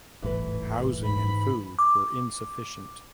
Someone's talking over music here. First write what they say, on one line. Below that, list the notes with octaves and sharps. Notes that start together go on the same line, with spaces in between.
Housing and food were insufficient.
D#1 G#1 A2 E3 B4
G#2 B5
D6